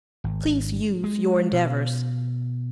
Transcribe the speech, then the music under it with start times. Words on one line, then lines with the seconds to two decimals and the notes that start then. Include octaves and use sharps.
Please use your endeavors.
0.24 G#1
1.04 G#3
1.52 B2